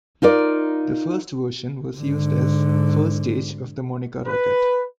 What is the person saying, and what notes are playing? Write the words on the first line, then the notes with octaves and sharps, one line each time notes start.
The first version was used as first stage of the Monica rocket.
D#4 F4 A#4 D5
G#2 D3
B4